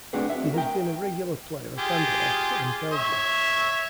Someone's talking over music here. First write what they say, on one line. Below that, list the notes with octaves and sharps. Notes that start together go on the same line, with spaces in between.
He has been a regular player at Anderlecht and Belgium.
A3 C4 D4 F#4 G#4 B4
E5
A#4 G5
F4 G4 G#4
C#5 E5